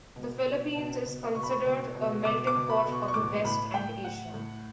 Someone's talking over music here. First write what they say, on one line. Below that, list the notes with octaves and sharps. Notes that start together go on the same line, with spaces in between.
The Philippines is considered a melting pot of the West and Asia.
B2
B2
B2
B2
B2 C#6
B5
C#6
B2
B2
B2 D6
D6
B2
B5
B2
C#6
C#6
A2 D6
A2 B5
A2 G5
A2 F#5
A2